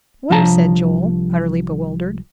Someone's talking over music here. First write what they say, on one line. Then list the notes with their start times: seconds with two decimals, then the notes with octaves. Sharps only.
"Where?" said Joel, utterly bewildered.
0.30 C2 F3 D4 C#5 A5 A#5